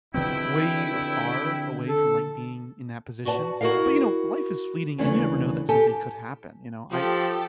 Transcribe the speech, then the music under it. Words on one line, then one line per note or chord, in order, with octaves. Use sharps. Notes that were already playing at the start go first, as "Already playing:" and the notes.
way far away from, like, being in that position, but, you know, life is fleeting, and you never know that something could happen, you know, I
E2 B2 D3 F3 C4 E4 G5
A4
F#4 B4 D5 G#5 A5
E4 F#4 G#4 A#4 D#5 F5
D#2 C#3 E3 A3 D4 A4
G4 A4 G#5 A5
F3 G4 A4